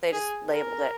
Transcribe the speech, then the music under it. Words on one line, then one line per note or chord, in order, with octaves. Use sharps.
They just labeled it.
G#4
A#4